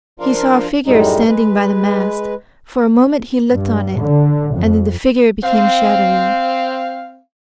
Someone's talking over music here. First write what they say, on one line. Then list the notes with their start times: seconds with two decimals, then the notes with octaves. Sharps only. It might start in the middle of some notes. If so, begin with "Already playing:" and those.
He saw a figure standing by the mast; for a moment he looked on it, and then the figure became shadowy.
0.20 F3 D4 F4 A#4 F5
0.86 F#2 A2 G3 G#3 D#4
1.27 G#3 B4
3.53 G2
4.02 D3
4.56 F2
5.44 C4 F5